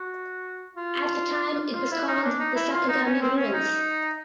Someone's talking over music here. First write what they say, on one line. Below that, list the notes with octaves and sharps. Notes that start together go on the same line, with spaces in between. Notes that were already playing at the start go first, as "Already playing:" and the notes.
At the time it was called the "Sakagami Ruins".
Already playing: F#4
F4
F4
E4
D#4
D4
D#4
E4
F4
D#4
C#4
C4
C#4
D#4